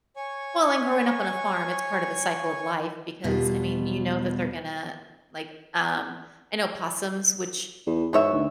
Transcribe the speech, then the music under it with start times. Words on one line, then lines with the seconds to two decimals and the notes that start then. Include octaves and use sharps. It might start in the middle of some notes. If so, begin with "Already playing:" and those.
Well, and growing up on a farm, it's part of the cycle of life because, I mean, you know that they're gonna, like, um I know possums which
0.16 C#5 G#5 C#6
3.24 E2 B2 G3 F4
7.87 E2
8.13 G#2 B2 C#5 E5
8.32 D2